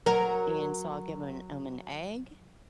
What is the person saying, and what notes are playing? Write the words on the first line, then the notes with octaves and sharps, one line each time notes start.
And so I'll give m him an egg
F#3 A#4